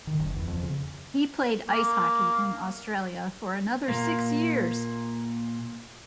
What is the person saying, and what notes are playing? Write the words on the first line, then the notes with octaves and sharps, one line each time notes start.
He played ice hockey in Australia for another six years.
D#3
F#1
E2
F2
C#3
A#3
A#2 A#3